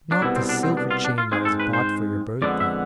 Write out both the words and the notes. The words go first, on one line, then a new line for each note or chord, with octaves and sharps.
Not the silver chain that was bought for your birthday?
D4
C2 B2 B3 E4
C4
D4
C4
D4
F4
D4
F4
G#2 G#3 C4 G#4
A4
B4
C5
F2 D3 G#3 B3 D5
E5